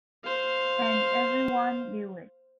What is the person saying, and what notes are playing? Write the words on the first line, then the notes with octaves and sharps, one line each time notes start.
And everyone knew it.
C5 F5